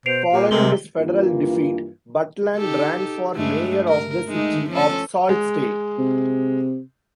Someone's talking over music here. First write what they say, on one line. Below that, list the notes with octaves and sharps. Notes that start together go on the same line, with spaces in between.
Following his federal defeat, Butland ran for mayor of the city of Sault Ste.
B2 C5 C7 D7 F7
A#2 G4
C3 G#3 A#4 G7
G2 E3 A#3 F4
D#4 G4 A4
G2 G#3 A3
A#4
G#3 A3 D#4
F3 C#4 A4
G#3
C3